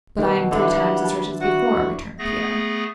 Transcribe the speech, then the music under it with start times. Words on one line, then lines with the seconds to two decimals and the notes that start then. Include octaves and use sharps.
"But I am three times as rich as before," returned Pierre.
0.18 B2 D#3 F#3 F#5
0.51 D3 D4 E4 C6
0.71 G3 A#3 F#5
1.04 A5
1.41 F#4
2.19 A3 B3 G#4 A#6